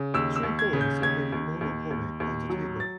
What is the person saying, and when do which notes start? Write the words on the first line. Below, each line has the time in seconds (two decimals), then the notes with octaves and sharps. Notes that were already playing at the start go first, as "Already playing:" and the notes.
Three boys are playing Monopoly on the table.
Already playing: C#3
0.14 D#2 E6
0.36 E6
0.43 D#2
0.59 G#6
0.73 C#3
0.81 G6
1.02 D#2 G#6
1.32 D#2
1.61 D#2
1.91 D#2
2.20 D#2
2.50 F#3
2.80 A6